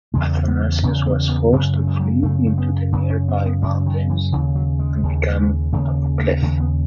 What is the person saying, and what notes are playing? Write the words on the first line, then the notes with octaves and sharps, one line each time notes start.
Athanasios was forced to flee into the nearby mountains and become a klepht.
E2 C#3 G#3
B3
E2 C#3 C#4
B3
B3
F#2 C#3 G#3
A3
G#3
F#3
F#2 C#3 A3
A3
B3
F#2 C#3 B3
C#4
B3
B3
F#2 C#3 C#4
D#3
E3
D#2 C#3 E3
F#3
G#3
D#2 C#3
D#2 C#3 A3
A3
D#2 C#3 A3
B3